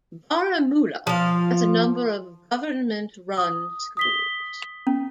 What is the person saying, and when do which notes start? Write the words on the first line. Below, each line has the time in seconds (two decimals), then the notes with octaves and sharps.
Baramulla has a number of government-run schools.
1.07 F3 F5
3.38 D#6
3.97 D#6 B6 G7
4.87 C#4